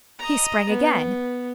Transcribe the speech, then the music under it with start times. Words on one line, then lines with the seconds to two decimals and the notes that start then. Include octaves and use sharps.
He sprang again.
0.19 D#5 A#5
0.70 B3